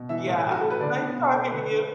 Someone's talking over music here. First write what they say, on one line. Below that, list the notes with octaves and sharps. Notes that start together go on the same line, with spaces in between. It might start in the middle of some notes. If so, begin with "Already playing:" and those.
Yeah, nice talking to you.
Already playing: B2
E3 E5
A2
A2
F#4
A3 A4
B4
D3 D5
B3
B2
A3
D3 B4
D3